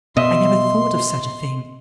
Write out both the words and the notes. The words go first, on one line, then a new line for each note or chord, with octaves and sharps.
'I never thought of such a thing.'
B2 D#5 E5 C6